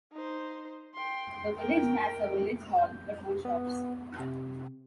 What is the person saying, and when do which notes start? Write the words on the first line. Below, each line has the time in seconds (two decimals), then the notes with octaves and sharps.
The village has a village hall but no shops.
0.12 D#4 C5
0.94 G5 C6
1.57 A#4 G5
2.78 G6
3.45 B3
4.20 C3